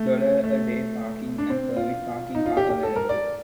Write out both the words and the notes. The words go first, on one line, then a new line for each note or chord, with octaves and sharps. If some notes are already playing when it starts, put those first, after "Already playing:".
Dollar-a-day parking and permit parking are available.
Already playing: A3
A3
D4
C4
F4
D#4
F4
G4
G4
A4
A#4
D5